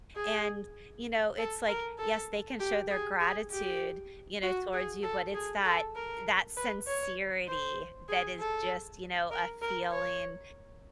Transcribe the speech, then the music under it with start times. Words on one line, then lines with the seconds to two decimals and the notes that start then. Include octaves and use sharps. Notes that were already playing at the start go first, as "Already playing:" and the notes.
and, you know, it's like, yes, they can show their gratitude, you know, towards you, but it's that that sincerity that is just, you know, a feeling.
0.16 G#4
1.39 A4
1.68 A#4
1.99 A4
2.60 G4
2.91 G#4
3.21 G#4
3.52 G4
4.43 F#4
4.73 G#4
5.03 A4
5.34 G#4
5.64 A4
5.96 A#4
6.57 B4
6.88 C#5
7.49 C5
8.09 G#4
8.39 A4
9.31 A#4
9.62 A#4
9.92 C#5